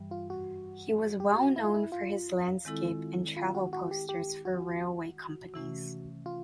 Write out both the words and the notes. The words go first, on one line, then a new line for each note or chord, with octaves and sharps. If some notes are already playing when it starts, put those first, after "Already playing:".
He was well known for his landscape and travel posters for railway companies.
Already playing: G2 E3 G3
F4
F#4
G4
F#4
E4
F4
E4
F4
D#3 G#3 C4 E4 A4
F4
F#4
F#4
G4
G4
F#4
C3 E3 A3 C#4
F4